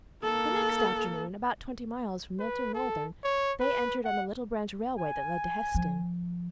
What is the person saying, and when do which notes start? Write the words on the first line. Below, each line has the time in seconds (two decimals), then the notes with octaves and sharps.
The next afternoon, about twenty miles from Milton-Northern, they entered on the little branch railway that led to Heston.
0.24 A#3 A4
2.39 B4
2.75 A4
3.24 C#5
3.60 B4
4.04 F#5
4.98 G#5
5.75 F3